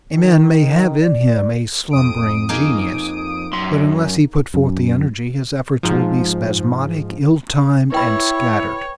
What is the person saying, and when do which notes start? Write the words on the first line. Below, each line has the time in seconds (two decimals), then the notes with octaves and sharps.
A man may have in him a 'slumbering genius,' but unless he put forth the energy, his efforts will be spasmodic, ill-timed and scattered.
0.13 D#3
1.00 D5
1.91 F2 D#6 D7
2.49 A#3 D#4 G#4
3.53 F#2 C6
4.54 F#2
5.83 G#2 F3
7.92 E4 B4 C#5 G5 B5